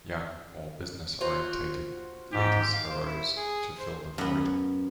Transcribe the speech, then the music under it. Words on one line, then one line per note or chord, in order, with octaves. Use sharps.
Young, more business-oriented leaders arose to fill the void.
F4 F#4 C5
G#2 G4
F5
C5
E4
G#4
C5
F#2 B3